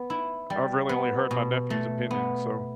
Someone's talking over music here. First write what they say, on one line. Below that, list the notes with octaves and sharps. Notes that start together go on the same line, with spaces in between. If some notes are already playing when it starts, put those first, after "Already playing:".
I I've really only heard my nephew's opinion, so
Already playing: B3
E4
G3
B3
B2
A3
B3